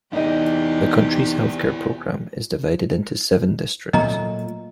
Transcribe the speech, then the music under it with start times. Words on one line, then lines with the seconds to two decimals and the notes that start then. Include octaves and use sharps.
The country's healthcare program is divided into seven districts.
0.13 E2 C3 D#4 E4 G4 D5 D#5
3.93 A#2 F#3 A3 D#5 A#5